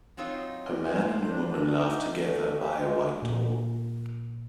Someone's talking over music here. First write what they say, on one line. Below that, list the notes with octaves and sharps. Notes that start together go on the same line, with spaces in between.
A man and a woman laugh together by a white door.
F#3 C4 D#4 F4 C#5 D#5
C5
D4
D4
D#4
A3
G4
G#3
A#2